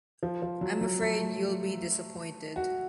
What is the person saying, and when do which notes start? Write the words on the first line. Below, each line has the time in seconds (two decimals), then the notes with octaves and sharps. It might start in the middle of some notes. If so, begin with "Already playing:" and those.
I'm afraid you'll be disappointed.
0.23 F3
0.42 F3
0.61 F#3
0.81 F#3
1.00 A3
2.56 F#4